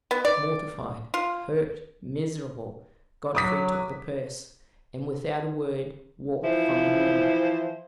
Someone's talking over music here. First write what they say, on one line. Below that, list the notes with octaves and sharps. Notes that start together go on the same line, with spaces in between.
Mortified, hurt, miserable, Godfrey took the purse, and, without a word, walked from the room.
B3
D5
F4
F#3 D6 D#6 B6
E3 F3 E4 C5